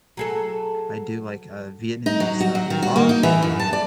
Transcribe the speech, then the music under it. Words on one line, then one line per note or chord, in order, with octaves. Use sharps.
I do, like, uh, Vietnamese, uh, pho,
F#3 G#4 A4
D#4
F#3
F#4
F#3
D#3
F#4
A#3
D#4
E3
F#2
A5
D5